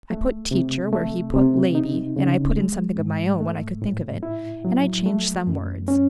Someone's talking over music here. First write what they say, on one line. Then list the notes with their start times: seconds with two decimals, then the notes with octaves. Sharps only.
I put "teacher" where he put "lady" and I put in something of my own when I could think of it and I changed some words.
0.10 A3
0.51 C3
0.93 A3
1.34 C3
1.75 D#4
2.16 C#3
2.57 G#3
2.99 G#2
3.40 A3
3.82 A2
4.23 E4
4.65 F#3
5.06 A3
5.47 F#2
5.88 C#4